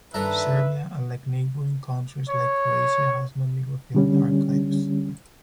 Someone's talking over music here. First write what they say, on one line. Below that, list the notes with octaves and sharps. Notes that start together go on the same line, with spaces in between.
Serbia, unlike neighbouring countries like Croatia, has no microfilmed archives.
G2 D#3 D4 A4 B4 E5 A#5
C#5
D3 G3 C#4